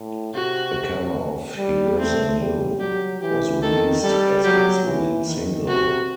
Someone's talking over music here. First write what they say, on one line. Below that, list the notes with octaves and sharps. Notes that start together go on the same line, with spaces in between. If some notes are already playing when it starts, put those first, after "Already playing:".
A cover of "He Lives in You", was released as its lead single.
Already playing: A2
C3 F#4
G3
A3 C4
G3
F#3 G4
E3 G4
D#3 A4
G3 A4
F#3 G4
E3
D#3
C3 F#4